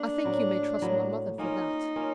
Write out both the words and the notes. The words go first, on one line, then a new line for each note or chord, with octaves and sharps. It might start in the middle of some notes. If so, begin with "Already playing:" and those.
'I think you may trust my mother for that.'
Already playing: A#3 D4
A2 F#3 A#3
A2 F#3 A#3
A#3 C#4 D#4 F4
A#3 C#4 F4